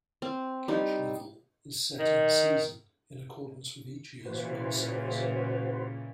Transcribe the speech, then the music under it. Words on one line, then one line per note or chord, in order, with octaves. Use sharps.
Catch level is set in-season in accordance with each year's run size.
C4
G3 D#4
D#3
A#2 C#3 E3 F#4 B4 C5